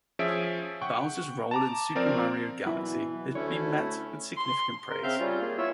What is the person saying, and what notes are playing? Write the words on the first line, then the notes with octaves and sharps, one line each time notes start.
Bowser's role in "Super Mario Galaxy" has been met with significant praise.
F3 C#4 G#4 E5 D7
F#5 G5 C#6
A5 A#5 D6
F3 C4 A#4 D5
B2 E3 F#3 E4
D2 A3 C#4 E4 C#5
C6
C#3 A#4
C#3 C4 E5 F5 F6 G6
G3 C#4 F4
A#3 G#4
B3 E4 F4 C#5 E5 E6